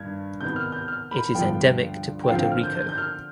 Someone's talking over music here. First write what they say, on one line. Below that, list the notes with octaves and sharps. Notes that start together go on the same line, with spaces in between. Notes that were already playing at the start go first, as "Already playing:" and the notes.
It is endemic to Puerto Rico.
Already playing: G2 D#3 G#6
C3 D#3 B3 G6
F6
G6
F6
B5
G2 D3 F3 B3 F4 G5
G5
D3 F3 C4 F4 F5
G5
F6
G6
G6
G6
F6